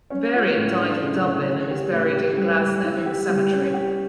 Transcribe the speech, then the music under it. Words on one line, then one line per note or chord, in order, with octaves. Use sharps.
Varian died in Dublin and is buried in Glasnevin Cemetery.
C#4
F4
A2
D4
C#3
C#3
C#4
G4
A2
G4
G3
G3
E4
G4
G3
C#4
G4